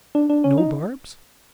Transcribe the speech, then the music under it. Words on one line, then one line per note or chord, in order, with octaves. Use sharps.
"No barbs?"
D4
D4
C#4
D#4